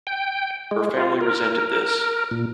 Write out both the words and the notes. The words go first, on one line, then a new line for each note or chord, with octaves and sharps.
Her family resented this.
G5
G#3
F4
A#4
A#2